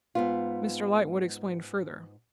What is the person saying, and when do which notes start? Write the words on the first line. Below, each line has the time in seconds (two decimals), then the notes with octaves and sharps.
Mr Lightwood explained further.
0.15 G#2 B3 F4